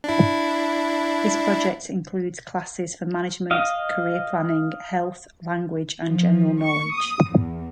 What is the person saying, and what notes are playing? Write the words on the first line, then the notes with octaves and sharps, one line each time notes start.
This project includes classes for management, career planning, health, language, and general knowledge.
D4 E4
D#5 F5
F3
C#6
D#6
E2